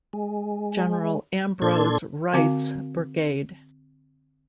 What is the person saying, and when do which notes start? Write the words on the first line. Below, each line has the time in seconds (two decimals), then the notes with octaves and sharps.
General Ambrose Wright's brigade.
0.13 G#3
1.62 A#2 D4 A4 C6 G#6
2.33 D3 C4 F#4 F5